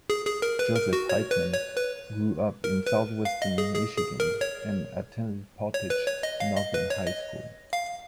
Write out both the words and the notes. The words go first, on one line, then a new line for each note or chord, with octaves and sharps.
Joseph Heitman grew up in southwestern Michigan and attended Portage Northern High School.
G#4
G#4
A#4
B4
A#4
F#4
C#5
B4
C#5
B4
A#4
B4
F5
D#5
G#4
G#4
G#4
A#4
C#5
C#5
B4
C#5
D#5
F5
D#5
B4
C#5
D#5
F5